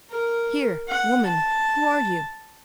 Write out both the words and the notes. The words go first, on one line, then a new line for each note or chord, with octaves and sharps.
Here! woman, who are you?
A#4
F#5
A5